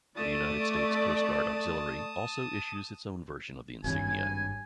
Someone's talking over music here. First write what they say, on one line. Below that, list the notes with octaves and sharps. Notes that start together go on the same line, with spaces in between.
The United States Coast Guard Auxiliary also issues its own version of the insignia.
A3 D5 A5 D#6
G#1 G2 C#5 G#5 G#6